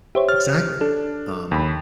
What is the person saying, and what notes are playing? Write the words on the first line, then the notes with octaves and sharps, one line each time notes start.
Exactly. Um,
G4 C5 C#5 E5
F6 A6
D4 A4
D#2 B5